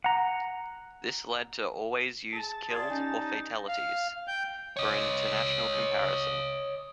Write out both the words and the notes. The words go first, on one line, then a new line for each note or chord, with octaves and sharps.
This lead to always use killed or fatalities, for international comparison.
F#5 A#5
G#4 A5
F4 G4 G#4 C#5 D5
C#4 D#4 G#5
F5
G5 G6
C#5 D#5